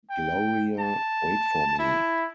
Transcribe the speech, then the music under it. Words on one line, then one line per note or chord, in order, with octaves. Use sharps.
Gloria, wait for me!
G5
A5
E4